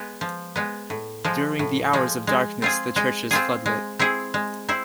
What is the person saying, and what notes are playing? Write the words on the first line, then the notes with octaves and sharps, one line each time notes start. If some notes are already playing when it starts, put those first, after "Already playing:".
During the hours of darkness the church is floodlit.
Already playing: G#3 B3
F3
G#3 B3
A2
F3 G#3
A2
F3 G#3
G#3
C4 F4 G#4
G#3
C4 F4 G#4
G#3
C4 E4 G#4
G#3
C4 E4